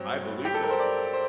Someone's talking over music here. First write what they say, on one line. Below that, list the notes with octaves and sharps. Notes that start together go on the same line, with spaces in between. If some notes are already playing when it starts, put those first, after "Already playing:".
I believe that.
Already playing: G2 F#3 C4
G4
A4
A#4
C5
D5
C5